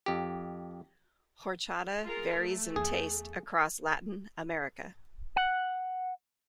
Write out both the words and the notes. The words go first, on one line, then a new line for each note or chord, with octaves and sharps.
Horchata varies in taste across Latin America.
F2 G4
F4 G#4 A#4
A3
E2 G#4
F#5